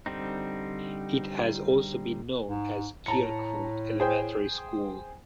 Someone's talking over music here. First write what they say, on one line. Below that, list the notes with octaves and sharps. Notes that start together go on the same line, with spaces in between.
It has also been known as Kirkwood Elementary School.
D3 G3 C4 D#4
G#2
A2 A5 A#5 C#7
G#4 C5 G5